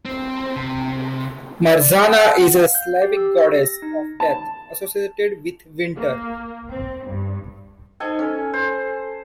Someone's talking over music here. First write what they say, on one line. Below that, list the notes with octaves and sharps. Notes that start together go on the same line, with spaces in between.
Marzanna is a Slavic goddess of death, associated with winter.
C4
C3
D5
F#5
F5
G6
G4
E6
A#6
D#4
A5
A#3
C4
G2
D#4 A4 C5 D#5 G#5
C#4 A4 G#5
C5